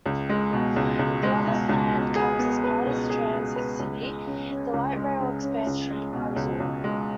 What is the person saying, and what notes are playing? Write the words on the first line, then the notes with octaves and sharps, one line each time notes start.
The other plan comes as part of Transit City, the Light Rail expansion proposal.
C#2
G#3
B2
C#2
C#2
G#3
B2
C#2
B2
G#4
B3
B4
B2
G#4
B3
B4
C#2
G#3
C#3
C#4
C#2
G#3
C#3
C#4
C#2
G#3
B2
C#2
C#2
G#3